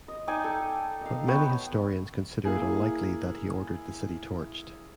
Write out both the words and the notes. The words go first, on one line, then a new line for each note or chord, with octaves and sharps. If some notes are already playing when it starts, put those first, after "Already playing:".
But many historians consider it unlikely that he ordered the city torched.
D#5
D#4 D5 G5 G#5
A4
D#5 F5
B3 B4 C#5 G5
A#3 E4 G#4